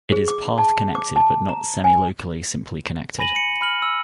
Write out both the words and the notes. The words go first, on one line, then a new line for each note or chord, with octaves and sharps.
It is path connected but not semilocally simply connected.
G#4
D6
A5
D6
A5
A#5
G#5
G#5 B5 A#6 D#7 F#7
C#7 D#7
B5 F6 F#7
E6